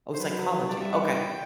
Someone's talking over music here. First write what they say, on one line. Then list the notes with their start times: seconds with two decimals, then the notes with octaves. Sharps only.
Oh, psychology. Okay,
0.14 C5
0.20 F#3 B4
0.69 G3 D5
0.81 E5
0.93 F#5
1.05 G5